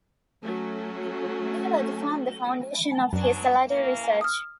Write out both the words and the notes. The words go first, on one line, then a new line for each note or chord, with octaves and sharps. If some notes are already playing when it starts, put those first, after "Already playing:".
They were to form the foundation of his later research.
F#3 A3 C#4
F#2 F#3 B3 D4
C#3 E3 A#3
D#6 F6